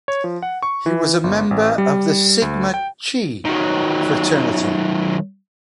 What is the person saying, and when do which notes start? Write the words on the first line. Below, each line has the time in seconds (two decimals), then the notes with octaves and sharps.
He was a member of the Sigma Chi fraternity.
0.08 C#5
0.24 F3
0.42 F#5
0.62 C#6
0.86 E3
1.24 G1
1.51 A1
1.78 G3
2.42 D2
2.74 G5
3.45 D#3 F#3